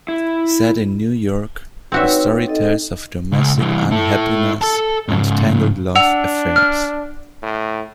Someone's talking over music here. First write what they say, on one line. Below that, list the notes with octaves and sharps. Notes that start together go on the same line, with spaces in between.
Set in New York, the story tells of domestic unhappiness and tangled love affairs.
E4
C4 D#4 F#4 B4 C#5 E5
D#4 A4 D#5
C#2
C2 E3
E4 A4
A4 A5
G#2 C#3
D4 F#5 E6 F7
F6
A2